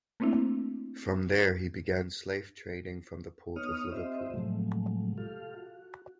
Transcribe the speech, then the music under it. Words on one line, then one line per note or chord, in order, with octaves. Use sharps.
From there he began slave trading from the Port of Liverpool.
A3 A#3 C4 D4 E4
B3 D#4 C#5 D#6 F6
C4 F4 G4 C5 D#5 E5
A2 C3 F3 F#3 G#3 A3
F4 G4 A4 F5
F#4